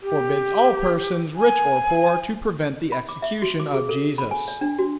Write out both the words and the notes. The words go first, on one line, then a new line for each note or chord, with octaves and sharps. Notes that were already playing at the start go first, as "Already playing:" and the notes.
Forbids all persons, rich or poor, to prevent the execution of Jesus.
G4
G#5
B5
D6
E5
F#4
D6
G#4
A4
B5
G#5
D5
D4
F#4